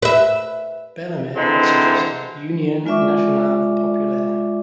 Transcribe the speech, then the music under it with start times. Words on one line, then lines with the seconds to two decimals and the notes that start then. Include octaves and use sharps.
Bellemare had suggested "Union Nationale Populaire".
0.02 B4 E5
1.36 D3 E3 G#3 C4 D#4 C5
2.86 G#3 F4 D5 E5 C#6 D6